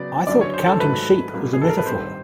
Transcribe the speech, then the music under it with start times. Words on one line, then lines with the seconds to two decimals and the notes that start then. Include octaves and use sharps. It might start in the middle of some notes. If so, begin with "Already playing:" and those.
I thought "counting sheep" was a metaphor.
Already playing: C#3 F#3 B3 D5
0.27 F#2 D3 F#3 D5
0.41 C#5
0.54 C5
0.67 A4
0.80 G#2 D#3 F#3 A3 B4
1.33 A2 F#3 A#3 C#4
1.53 G#4
1.62 A4
1.70 A#4
1.78 B4
1.85 G2 D#3 G3 C4 C5